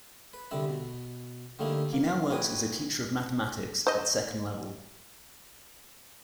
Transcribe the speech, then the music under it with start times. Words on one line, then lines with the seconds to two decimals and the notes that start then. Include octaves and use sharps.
He now works as a teacher of mathematics at second level.
0.33 B4
0.51 C2 D3 G3 E5 B5
0.69 B2
1.59 D3 G3 A3 A#3 D#4 E4
1.93 A#3
2.29 A#2 F#4 B4 G5 G#5 D#6
3.87 C5 D#5